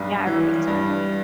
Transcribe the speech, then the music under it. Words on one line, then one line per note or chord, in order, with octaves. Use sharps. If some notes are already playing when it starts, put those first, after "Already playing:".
Yeah, I remember these pictures.
Already playing: B1 G2
E3
G2